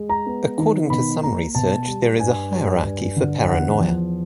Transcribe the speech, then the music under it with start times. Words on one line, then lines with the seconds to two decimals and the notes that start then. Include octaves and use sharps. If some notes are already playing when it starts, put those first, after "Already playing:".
According to some research there is a hierarchy for paranoia.
Already playing: G#3
0.09 A#5
0.26 B3
0.58 D#3
0.90 B2 B5
1.23 A#3 A#5
1.55 B2 A5
1.87 G3
2.19 G2 G#5
2.52 G3
2.84 G2
3.16 D3
3.49 E2 F#5
3.81 F3